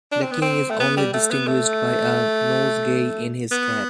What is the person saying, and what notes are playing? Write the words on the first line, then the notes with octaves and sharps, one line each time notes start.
The king is only distinguished by a nosegay in his cap.
D4
C4
B3
C4
A3
B3
G3
A3
B3
A3
B3